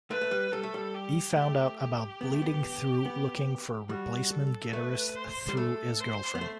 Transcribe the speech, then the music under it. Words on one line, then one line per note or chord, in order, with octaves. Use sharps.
He found out about Bleeding Through looking for a replacement guitarist through his girlfriend.
A3 B4
A3
G3
G3 A4
A3
G3
G4
A3 G4
G4
B3
A3
B3
B3
G3 F#4
A4
A3 B4
C5
G3
A3 A4
C5
B3
A3